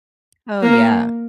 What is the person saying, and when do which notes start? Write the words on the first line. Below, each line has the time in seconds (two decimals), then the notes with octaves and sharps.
Oh, yeah.
0.63 A#3